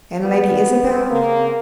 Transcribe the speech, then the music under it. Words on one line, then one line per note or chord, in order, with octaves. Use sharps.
And Lady Isabel?
B3
C#3 A#3